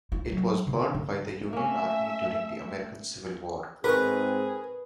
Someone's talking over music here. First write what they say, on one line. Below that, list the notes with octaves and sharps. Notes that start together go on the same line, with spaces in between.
It was burned by the Union Army during the American Civil War.
F4
F#3
D3
D3
A3 A#3 C#4 E5
G#2 C4 G#4 A#4 B4 C#6